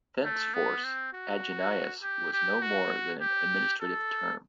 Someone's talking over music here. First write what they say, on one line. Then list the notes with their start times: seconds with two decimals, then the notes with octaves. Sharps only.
Thenceforth Agenais was no more than an administrative term.
0.24 A3
0.54 B3
0.84 C4
1.13 F#4
2.03 G4
2.33 G4
2.62 F#4
3.21 G4
3.81 A4